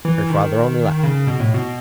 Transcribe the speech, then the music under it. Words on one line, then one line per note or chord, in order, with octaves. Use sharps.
Her father only laughed.
E3
D#3
C#3
B2
A2
B2